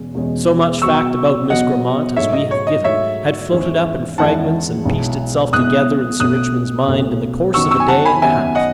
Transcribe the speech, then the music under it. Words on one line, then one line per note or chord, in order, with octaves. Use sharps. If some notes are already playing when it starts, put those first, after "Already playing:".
So much fact about Miss Grammont as we have given had floated up in fragments and pieced itself together in Sir Richmond's mind in the course of a day and a half.
Already playing: E2 B2 G#3 C#4 G#4
E2 B2 G#3 C#4 G#4
B2 F#3 B3 F#4 C#6 E6
B2 F#3 B3 F#4 D#5 F#5
G#2 F#3 A3 D#4 C#5 E5
D#5
C#5
D#5
G#2 F#3 A3 D#4 C#5 E5
E2 D#3 G#3 C#4 E4
E2 D#3 G#3 C#4 E4 F#5 A5
B1 B2 G#3 B3 E4
B1 B2 G#3 B3 E4 D#6 F#6
B1 B2 A3 C#4 F#4 D#6 F#6
B1 B2 A3 C#4 F#4
F#2 D#3 F#3 B3 F#4 C#6 E6
C#6 E6
G#5
F#5 A5
G#5 B5
F#2 D#3 F#3 B3 F#4 E5 G#5
D#5 F#5